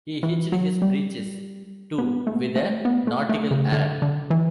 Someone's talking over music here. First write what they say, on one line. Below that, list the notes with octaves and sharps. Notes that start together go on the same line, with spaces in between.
He hitched his breeches, too, with a nautical air.
E3
F#3
G3
B3
A3
B3
A3
A3
B3
A3
A3
C#3
D3
D3
E3